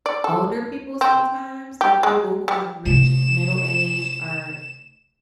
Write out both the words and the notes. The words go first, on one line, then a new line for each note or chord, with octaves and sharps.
older people sometimes, like people who have reached middle age or,
D5
A4
C4
G4
G#3
G3
C3 A3 E7